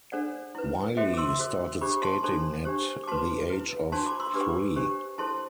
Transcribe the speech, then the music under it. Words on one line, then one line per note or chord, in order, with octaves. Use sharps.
Wylie started skating at the age of three.
D4 A4 C5 D5 F#5
E4 B4
F#4 A4 C5 E5 G5
D6
C6 E6
F#4 A4 C5
D4 G4 C5 B5 D6
A5 C6
D4 A4 C5 A5 C6
D4 G4 C5
D6
F#4 B4 A5 C6
E4 B4
D4 F#4 C5 A5 C6
B5 D6
C6 E6
D4 G4 B4 B5 D6
D4 G4 C5
E4 A4 C5 A5 C6